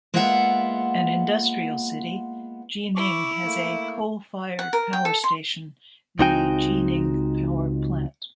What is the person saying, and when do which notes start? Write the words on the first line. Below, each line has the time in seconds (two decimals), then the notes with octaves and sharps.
An industrial city, Jining has a coal-fired power station, the Jining Power Plant.
0.14 G#3 A#3 B3 F4 E5 F#5
2.95 E4 C#6 D6
3.44 A3 A#3
4.59 F#5
4.73 A#4
4.93 G5
5.05 A4
5.24 C6
6.19 C#2 C4 D#4 F#4 G5 G#5